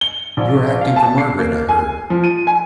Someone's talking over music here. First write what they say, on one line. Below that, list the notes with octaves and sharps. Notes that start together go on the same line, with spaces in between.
"You are acting for Margaret, I heard."
G7
A#1
F5
A5
C7
A#3
G#5
F3
D#7
G#5